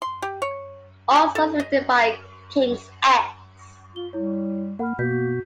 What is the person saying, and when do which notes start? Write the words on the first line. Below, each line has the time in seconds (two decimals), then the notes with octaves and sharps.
All songs written by King's X.
0.02 C6
0.22 G4
0.42 C#5
1.16 G#5
1.35 A4
1.60 D#5
3.96 F4 G7
4.13 G3 E4 C#5
4.79 A#3 F#5 B5 F6
4.99 B2 A#3 F#4 G6 B6